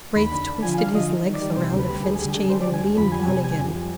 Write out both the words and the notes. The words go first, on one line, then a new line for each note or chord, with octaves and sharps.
Braith twisted his legs around a fence-chain and leaned down again.
D#2 B5
D3
D3
F3 G#5
D3 F5
F3 D#5
D#3
D#3
D5
G3
C3 C5
D2
B4
G3
D2 G#4
G3 G#4
D3 G#4
D3 C5
D5
G3
G#5
D2
F2 B5
G3 G#5
C3 G#5
G3 G#5
F2
G3